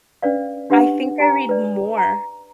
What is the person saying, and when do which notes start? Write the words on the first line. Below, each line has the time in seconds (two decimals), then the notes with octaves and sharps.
I think I read more.
0.22 C#4 B4 D5 F5
0.70 D4 G4 B4 F#5
1.20 G4 G#5 A#5
1.49 B4 D5
1.97 A#5